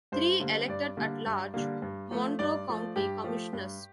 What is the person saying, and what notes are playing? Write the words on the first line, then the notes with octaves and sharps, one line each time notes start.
Three, elected at large, Monroe County Commissioners.
G2 C5
D3 G3 A#3
G2 D5
D3 G3 A#3
G2
D3 G3 A#3
G2
F3 A3
G2 D5
F3 A3
G2 G4
F3 A3
G2